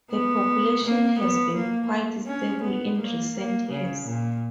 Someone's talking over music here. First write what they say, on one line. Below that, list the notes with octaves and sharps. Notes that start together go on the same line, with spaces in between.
The population has been quite stable in recent years.
B3
A#3
B3
A#3
C#4
B3
A#3
A#3
C#3
A#2